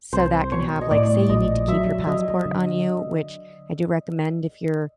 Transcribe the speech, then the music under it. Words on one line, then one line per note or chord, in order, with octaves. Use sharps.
so, that can have, like say you need to keep your passport on you, which I do recommend if you're
C2 C5
B2 C#5
D#5
A2 D5
A#1 D#5
F#3 E5
F#3 D#5
D3